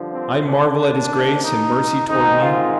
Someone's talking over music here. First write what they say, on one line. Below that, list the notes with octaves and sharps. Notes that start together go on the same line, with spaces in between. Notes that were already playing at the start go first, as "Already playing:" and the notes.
I marvel at his grace and mercy toward me.
Already playing: G2 D3 F3
C4
D4
D#2 D#3 A#3 D4
D#4
G#2 D#3 G#3 C4 D#4
F4